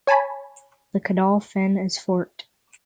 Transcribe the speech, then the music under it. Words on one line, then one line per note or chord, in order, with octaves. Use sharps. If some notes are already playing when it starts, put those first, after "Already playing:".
The caudal fin is forked.
C#5 G#5 A5 B5